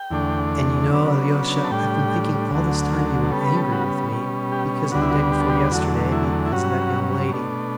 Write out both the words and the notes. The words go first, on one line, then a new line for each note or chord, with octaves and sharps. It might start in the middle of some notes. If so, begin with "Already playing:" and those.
And you know, Alyosha, I've been thinking all this time you were angry with me, because of the day before yesterday, because of that young lady.
Already playing: G5
E2 D3 A3 D4
C#3 F#3 B3 D4
A5
A2 G3 D4 G5
D2 D3 F#3 A3
C#3 G3 B3 A4
B4
A4
F#4
B2 G3 C#4
G4
D2 D3 G3 B3 D4 F#4
E4
F#4
G4
A4
G4
E2 D3 F#3 A3 F#4
E4
E4
G2 F#3 C#4 F#4
B2 A3 D4